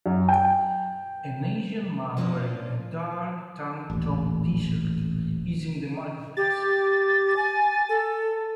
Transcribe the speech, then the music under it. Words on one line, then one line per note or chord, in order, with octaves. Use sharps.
An Asian man wearing a dark tank top tshirt is in the marketplace.
F#2
G5
F3 A#3 C#4 D4 F4
D#1 A1
G4 A6
G#5
A4